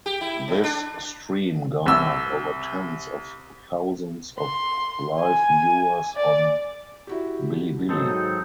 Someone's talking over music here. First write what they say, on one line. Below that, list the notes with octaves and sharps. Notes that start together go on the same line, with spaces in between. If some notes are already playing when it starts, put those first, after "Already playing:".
This stream garnered over tens of thousands of live viewers on bilibili.
G4
E4
A2
D4
C2 E6
C6
G#5
D5
E4 F#4 G4
G#2 D#3 F#3 C4 D#4 A4